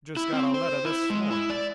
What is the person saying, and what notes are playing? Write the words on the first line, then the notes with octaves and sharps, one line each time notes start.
'Just got a letter this morning.'
E4
C4
C5
E4
G#3
E4
D5